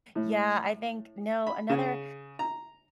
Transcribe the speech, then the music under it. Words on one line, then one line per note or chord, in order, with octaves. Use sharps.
Yeah, I think no, another
A2
B5
C#3
A#5